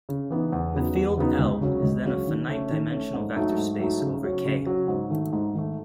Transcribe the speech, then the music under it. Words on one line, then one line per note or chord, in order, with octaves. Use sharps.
The field "L" is then a finite dimensional vector space over "K".
C#3
E3 B3 D#4
E2
C#3 F#3 B3 D#4
E2
C#3 F#3 B3 D#4
C#2
C#3 F#3 C#4
C#2
C#3 F#3 C#4
D#3
A3 C#4
D#3
A3 C#4
G#2
F#3 A3 D#4
G#2
F#3 A3 D#4
C#3
F#3 C#4
C#3
F#3 C#4
G#2
D#3 A3
G#2
D#3 A3